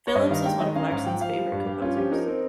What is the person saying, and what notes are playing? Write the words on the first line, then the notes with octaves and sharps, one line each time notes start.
Phillips was one of Larson's favorite composers.
C#5
G2 D#5
D#3 F5
G#3 G5
D#3 D#5
C#4 F5
G#2 F5
F3 G5
F3 F5
G3
G2
G2 G4
C#4 F4
F3 G4
D#4 A#4
C4 A#4